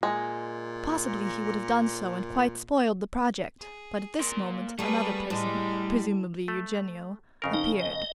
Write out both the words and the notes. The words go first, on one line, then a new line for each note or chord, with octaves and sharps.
Possibly he would have done so and quite spoiled the project, but at this moment another person, presumably Eugenio, appeared.
A#2 G#3
G#4
A#3 C6
G3 A3 A#3 G#4 B4
A2 G#3
A3
F2 C#3 A#4
D#4
D#5